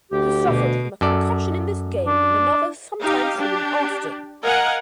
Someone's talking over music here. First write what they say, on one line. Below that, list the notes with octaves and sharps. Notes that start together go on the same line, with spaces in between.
He suffered from a concussion in this game and another some time soon after.
D2 G4
B2
F#2 A4 D5
D4
D#4 G4 F5
D4 G4
A#4 D#5 F5 F#5 G#5